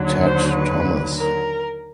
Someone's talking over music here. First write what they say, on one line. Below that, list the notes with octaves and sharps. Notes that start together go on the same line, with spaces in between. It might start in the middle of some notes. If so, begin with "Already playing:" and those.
Ted Thomas.
Already playing: D#2 D3 F#3
C5
B4
A#4